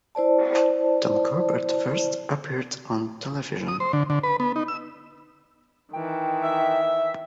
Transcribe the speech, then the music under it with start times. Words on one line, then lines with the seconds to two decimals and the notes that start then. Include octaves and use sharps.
"Tom Corbett" first appeared on television.
0.15 E4 C5 D5 A5
3.68 D#6
3.80 C5
3.93 D3
4.10 D3
4.23 B4
4.40 B3
4.56 D#4
4.68 E6
5.93 D#3 E3 G5
6.42 E5